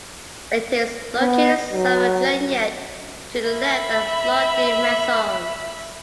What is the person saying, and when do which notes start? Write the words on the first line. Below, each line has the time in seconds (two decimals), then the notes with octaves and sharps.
It is located south of Junyent, to the left of Llau de Mesons.
1.19 B3
1.73 F#3
3.49 E5 B5